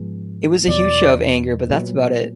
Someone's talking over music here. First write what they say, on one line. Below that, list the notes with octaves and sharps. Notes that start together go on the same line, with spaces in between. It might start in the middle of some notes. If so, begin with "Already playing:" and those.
It was a huge show of anger but that's about it.
Already playing: G#2 F3 G#3 B3
E2 B2 F#3 D5
A#2 F#3 B3